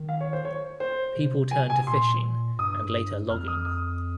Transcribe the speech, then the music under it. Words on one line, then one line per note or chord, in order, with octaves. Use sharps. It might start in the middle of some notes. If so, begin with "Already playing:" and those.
People turned to fishing, and later logging.
Already playing: D#3
F5
C#5
C5
C#5
C5
C3
G#5
G#5
A#2 C6
G2 D#6
F2 F6
D#6
D#6